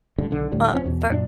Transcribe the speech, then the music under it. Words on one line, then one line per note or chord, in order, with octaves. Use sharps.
Uh, for
D1 C#2 G2 D3
B1 D3
D2 A2 D3 G3
F1 F3 C4 C#4
A1 E2 B2
F#2 A#2 D4